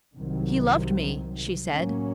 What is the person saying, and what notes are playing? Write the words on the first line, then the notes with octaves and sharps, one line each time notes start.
"He loved me," she said.
C2 C3 D#3 F#3
A2 F#3 A#3 C#4